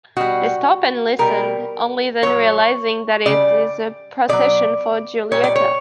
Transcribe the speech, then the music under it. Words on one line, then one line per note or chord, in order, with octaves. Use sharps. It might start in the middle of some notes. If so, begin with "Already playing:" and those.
They stop and listen, only then realising that it a procession for Giulietta.
B2 G3 F#4
B2 G3 A#4
A#2 F#3 C#5
C#3 G3 D5
B2 F#3 D5
A#2 G3 C#5
D5
C#5